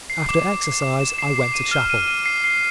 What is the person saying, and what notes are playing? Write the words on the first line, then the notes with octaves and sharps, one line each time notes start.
After exercise I went to chapel.
C7
D6
D6
C7
D6
E7
C7
C7
D#7
F6
D#7
D#7
C7
C7